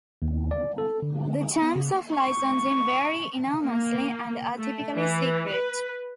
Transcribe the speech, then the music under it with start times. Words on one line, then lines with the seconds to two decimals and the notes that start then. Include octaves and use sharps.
The terms of licensing vary enormously, and are typically secret.
0.22 D#2
0.51 D5
0.78 A4
1.02 D3
1.62 B3
1.76 C#3
2.13 C#6
3.63 A#3
4.57 A3
4.96 E3
5.50 B4